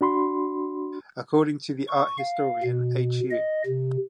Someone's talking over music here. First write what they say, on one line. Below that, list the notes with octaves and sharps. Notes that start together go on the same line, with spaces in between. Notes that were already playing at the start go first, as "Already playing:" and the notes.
According to the art historian H.-U.
D4 F#4 B5 C6
C#6
F5
B2
D#5
C3